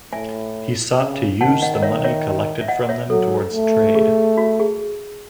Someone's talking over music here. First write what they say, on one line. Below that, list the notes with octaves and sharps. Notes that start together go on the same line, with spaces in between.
He sought to use the money collected from them towards trade.
A2 E5 G#5
C#3
D#3 F#5 A5
D#5 F#5
D#5
C#5 E5
C#5 E5
E5
D#5 F#5
C#5 E5
F#3 A4
A3
G#4
F#4
G#4